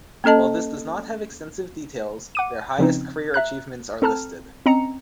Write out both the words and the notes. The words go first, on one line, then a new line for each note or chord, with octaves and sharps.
While this does not have extensive details, their highest career achievements are listed.
A#3 C#4 A4 D#5 A5
F#5 D6 D#7
C#3 F3 C4 C#4 D#4
E5 A#5 F#6
C4 A4 A5 A#5 F6
C4 C#4 D#5 A#5 C#7